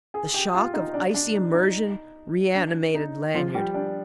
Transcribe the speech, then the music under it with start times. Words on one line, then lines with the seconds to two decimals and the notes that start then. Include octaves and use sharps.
The shock of icy immersion reanimated Lanyard.
0.14 G#4 G#5
0.34 G4 G5
0.54 F4 F5
0.74 D#4 D#5
0.94 D4 D5
1.14 D4 D5
1.35 D#4
1.54 D#4
2.55 D4
2.95 D#4
3.35 F3 F4
3.55 G3 G4
3.74 D4 D5